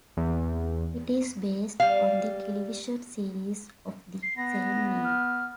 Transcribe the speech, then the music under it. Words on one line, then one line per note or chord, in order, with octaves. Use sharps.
It is based on the television series of the same name.
E2
G3 F5
C7
B3 A#6
F6